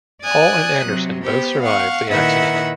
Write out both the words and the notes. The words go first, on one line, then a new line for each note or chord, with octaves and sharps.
Hall and Anderson both survived the accident.
D5 G#5 D#6 F#6
C3 F#3
B3 G4 C5
F5 F#5 C#6
A#2 D#3 E4 B4 E5 F#5